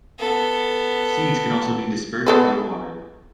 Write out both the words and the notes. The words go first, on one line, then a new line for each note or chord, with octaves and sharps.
Seeds can also be dispersed by water.
B3 A4
B3 A4 B4